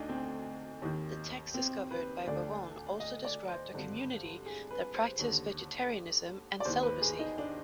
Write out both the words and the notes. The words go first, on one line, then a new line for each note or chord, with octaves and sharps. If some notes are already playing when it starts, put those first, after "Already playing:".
The text discovered by Bovon also described a community that practised vegetarianism and celibacy.
Already playing: D2 D4 D#4
C4
D#2 D#3
C4
B4
D2 D3 D5
D#5
D5
C5
G#1 G2 D3
G#4
B4
C5
D#2 D3
D5
D#2 D#3 C5
B4
G#4
D#4
D4